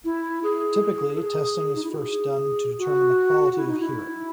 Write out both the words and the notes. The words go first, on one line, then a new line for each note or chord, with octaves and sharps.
Typically, testing is first done to determine the quality of hearing.
E4
G#4
A4
G#4
D#4
E4
F#4
G#4
F#4
E4
D#4
E4